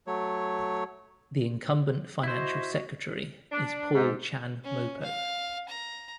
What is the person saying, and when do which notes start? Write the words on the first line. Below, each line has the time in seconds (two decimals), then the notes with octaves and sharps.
The incumbent Financial Secretary is Paul Chan Mo-po.
0.07 F#3 A3 C#5
2.23 E4 F#4 C5 D#5
3.51 D4
3.95 G#2
4.64 C#4
5.02 F5
5.69 A#5